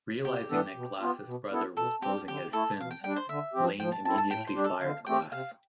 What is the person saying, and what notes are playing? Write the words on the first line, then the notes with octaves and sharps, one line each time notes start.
Realizing that Glass's brother was posing as Sims, Lane immediately fired Glass.
C3 G4
E3 B3 D4 A4
B2
B3 F4
B2
B3 E4 A4
B2 A4
G3 C4 G4
D3 G4
A3 E4 A4
B2 F5
G5
G3 D4 G5
C5
D3 E5
F3 C4 G4
F3 G5
A5
C4 E4 A4 A5
A5
A2 G5
C5
G3 D4 G4
A4
D3 F5
A3 C4 G4 G5
C3 F5